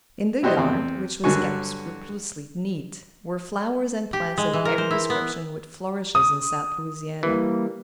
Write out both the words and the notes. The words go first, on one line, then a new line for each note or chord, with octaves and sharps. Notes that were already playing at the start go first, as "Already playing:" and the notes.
In the yard, which was kept scrupulously neat, were flowers and plants of every description which flourishes in South Louisiana.
E4 F#4 G4 C5 D5 D#5
E2 C4
G2 D3 F#3 F#4 G#5 C#6
G4
G#3
E3
A#4
C5
E4
B3
D#6
E3 G3 A#3